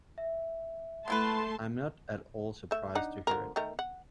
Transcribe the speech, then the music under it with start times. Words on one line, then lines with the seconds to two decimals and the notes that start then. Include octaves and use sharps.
I am not at all surprised to hear it.
0.18 E5
1.08 A3 B3 E4 B4 A5 C6
2.71 A3 E5
2.95 D4 D#4 F#5
3.27 D3 F3 A#4
3.56 D#3 A3 A#4
3.79 F#5